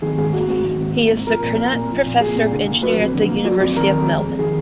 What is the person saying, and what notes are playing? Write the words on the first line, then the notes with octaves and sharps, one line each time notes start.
He is the Kernot Professor of Engineering at the University of Melbourne.
D#3 G#4
G#2 G#4
A#3 F#4
G#2 F#4
D#3
G#2
A#3
G#2
F3 A#4
A#2
A#3 A#4
A#2
F3
A#2
A#3 G#4
A#2
D3
A#3
F#3 B4
F2
D3
A#3
F#3 D5
F2 D5
D#3 A#4
F2
G#3
F2
D#3 G#4